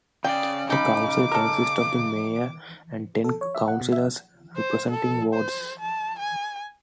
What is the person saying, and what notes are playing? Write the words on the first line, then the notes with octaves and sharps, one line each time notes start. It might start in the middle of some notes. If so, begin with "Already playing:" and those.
The council consists of the mayor and ten councillors representing wards.
C#3 D5 G5
D#4 B5 D6
A4 A#4
A4
C#5
E5
F#5
B2
E5
C5
A4
C5
A5
G#5